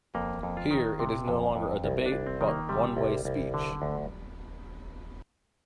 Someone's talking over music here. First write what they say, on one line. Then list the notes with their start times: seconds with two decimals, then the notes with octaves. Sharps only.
Here it is no longer a debate but one way speech.
0.15 F2 A#3
0.43 F2
0.57 F4
0.71 D#3
1.00 C3
1.28 F2
1.56 F2
1.84 C2
2.06 D4
2.12 C2
2.26 C4
2.41 D#3
2.48 A#3
2.69 C3 G3
2.97 C2
3.25 C2
3.54 D3
3.82 D2